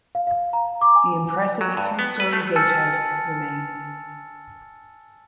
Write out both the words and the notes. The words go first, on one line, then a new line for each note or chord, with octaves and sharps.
The impressive three storey gatehouse remains.
F5
F5
A#5
D6
G#5
F#3
G2
B3
B4
A3
G#5 A5 E6 F6 A6 C#7